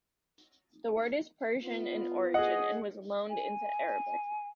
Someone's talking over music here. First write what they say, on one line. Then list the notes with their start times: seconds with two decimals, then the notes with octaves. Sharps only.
The word is Persian in origin, and was loaned into Arabic.
1.62 B3 F4
2.34 G#4 D#5 F#5
3.30 G#5